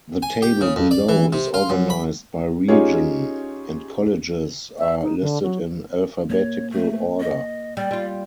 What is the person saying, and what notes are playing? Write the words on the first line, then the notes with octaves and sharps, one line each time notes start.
The table below is organized by region, and colleges are listed in alphabetical order.
G#5
G4
C#3
F2
D5
E3
C3
F4
F#2
B5
C#4 D#4 F4 G4 G#4 C#5
E5
D#4
D3
F#3
A#3 C#5
A3
D#5
G3 D5
G3 F4